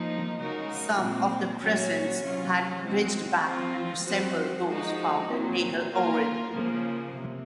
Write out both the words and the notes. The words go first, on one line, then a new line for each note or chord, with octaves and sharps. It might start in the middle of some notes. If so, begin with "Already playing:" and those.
Some of the crescents had ridged backs and resembled those found at Nahal Oren.
Already playing: F3 A#3 D#4
C#3 G#3 D#4 F#4 A#4
A#2 G#3 C4
A#2 F#3 C#4 F#4 C#5
C3 F#3 C#4 F4
G#3 C4 F#4
F3 C4 F4
F3 C4 F#4 C5
F3 G#3 D#4 F#4
A#2 F#3 C4
A#3 F4 A#4
C#3 F3 A#3
C3